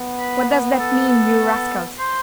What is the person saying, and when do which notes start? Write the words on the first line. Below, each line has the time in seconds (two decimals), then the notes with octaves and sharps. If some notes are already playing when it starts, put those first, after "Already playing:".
What does that mean, you rascals?
Already playing: B3
0.19 B4
0.79 A4
1.09 A4
1.99 C5